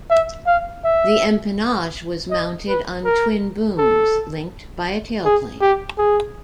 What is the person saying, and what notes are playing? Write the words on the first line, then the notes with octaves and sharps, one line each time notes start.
The empennage was mounted on twin booms linked by a tailplane.
E5
F5
E5
D#5
B4
A#4
A4
G#4
G4
G#4